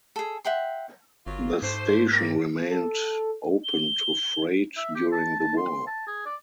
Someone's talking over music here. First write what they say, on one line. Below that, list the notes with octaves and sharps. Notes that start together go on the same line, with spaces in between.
The station remained open to freight during the war.
G#4 A4
E5 F#5 G5 C6
G1 F#3 A#3 F4
G#2 A3 G4 C5
A#3 C4
A4
G7
E5
G4
A5
A5
C6
A5
G#4
D5